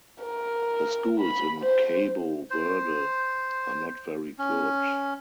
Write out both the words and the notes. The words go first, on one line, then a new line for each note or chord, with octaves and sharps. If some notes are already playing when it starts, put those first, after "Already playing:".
The schools in Cabo Verde are not very good.
A#4
B5
C5
C5
C#4